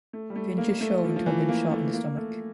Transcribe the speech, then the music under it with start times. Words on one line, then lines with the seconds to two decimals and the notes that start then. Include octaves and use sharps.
Finch is shown to have been shot in the stomach.
0.13 A3
0.30 G3
0.36 A3
0.58 A#3
0.81 A3
1.04 F3
1.16 F3
1.26 E3
1.49 A#3
1.71 A3
1.94 A#3
2.17 A3